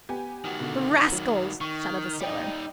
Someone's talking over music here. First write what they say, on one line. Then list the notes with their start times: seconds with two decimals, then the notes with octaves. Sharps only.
"The rascals!" shouted the sailor.
0.09 B3 G4 G#5
0.45 D#3 F#4
0.60 B2 D3
1.12 F#3
1.61 D#3 C#6
2.21 G3 D#4 D5 G5